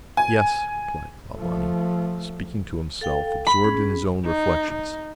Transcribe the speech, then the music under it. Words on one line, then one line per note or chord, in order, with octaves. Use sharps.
"Yes!" replied Clawbonny, speaking to himself, absorbed in his own reflections.
G#5
F3 A3
A4 F5 G5
B5
C#4 G#4
D#4
D#4